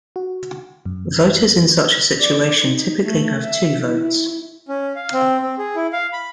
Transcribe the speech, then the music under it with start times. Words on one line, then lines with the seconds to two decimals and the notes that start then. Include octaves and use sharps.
Voters in such a situation typically have two votes.
0.16 F#4
0.86 F#2
2.21 D5
2.62 D#4
3.05 A3
3.42 E5
3.86 E4
4.68 C#4
4.96 F5
5.13 C4
5.42 C4
5.58 G#4
5.76 E4
5.93 F5
6.13 B5